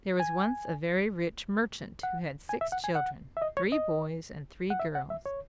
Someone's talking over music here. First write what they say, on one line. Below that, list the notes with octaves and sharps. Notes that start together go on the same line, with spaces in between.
There was once a very rich merchant, who had six children, three boys and three girls.
G#5
F#5
G#5
E5
F#5
G#5
F#5
E5
D#5
C#5
D#5
F#5
E5
F#5
E5
C#5